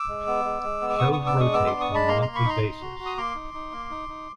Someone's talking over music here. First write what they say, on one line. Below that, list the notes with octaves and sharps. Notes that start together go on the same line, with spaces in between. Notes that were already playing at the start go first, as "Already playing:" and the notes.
Shows rotate on a monthly basis.
Already playing: D6 E6
G#3
B3
G#3
G#3
B3
D6
B3 C#6 D#6
D4 C#6 D#6
D6 E6
G#3 C#6 D#6
B3 D6 E6
D4 C6 D6
C#6 D#6
G#3
A5 B5
A#3 A#5 C6
A#3 A#5 C6
B5 C#6
D#4 A#5 C6
D#4
F#4
F#4
D#6
A#3 C6 D6
D#4
D#4
A#3
D#4
D#4